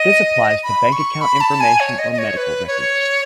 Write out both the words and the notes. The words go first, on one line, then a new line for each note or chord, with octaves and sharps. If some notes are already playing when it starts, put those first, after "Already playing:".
This applies to bank account information or medical record.
Already playing: D#5
B5
C#6
B5
A5
G#5
C#5
D#5
D#5
C#5
B4
C#5